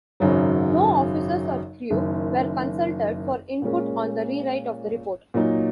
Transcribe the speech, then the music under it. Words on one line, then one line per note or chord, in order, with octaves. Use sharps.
No officers or crew were consulted for input on the rewrite of the report.
G#1 F#2 C#3 F#3
F#1 F#2 D#3
A#2 G#3 C#4 A#4
A#2 F#3 D#4